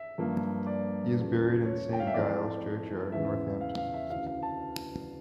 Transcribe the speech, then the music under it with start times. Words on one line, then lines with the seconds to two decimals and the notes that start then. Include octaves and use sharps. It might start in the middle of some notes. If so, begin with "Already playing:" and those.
He is buried in Saint Giles's churchyard, Northampton.
Already playing: E5
0.18 G2 F3 A#3
0.67 D5
1.16 E2 C#3 F3 A3
1.65 C#5
1.93 G5
2.00 F5
2.07 E5
2.14 F2 E3 A3 D5
3.12 E2 C#3 E3 E5
3.61 F5
3.77 F5
3.94 E5
4.10 D2 C#3 E3 F5
4.27 F5
4.43 A5